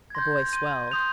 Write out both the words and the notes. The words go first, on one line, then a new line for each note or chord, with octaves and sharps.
The boy swelled.
G#6
C6 G6 A#6
C6 G6 D#7
C6 D#6 G6 F7